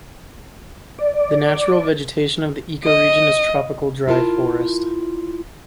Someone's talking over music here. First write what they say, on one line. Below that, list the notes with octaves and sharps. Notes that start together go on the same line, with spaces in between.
The natural vegetation of the ecoregion is tropical dry forest.
D5
D#5
E4 F4 A#4 A5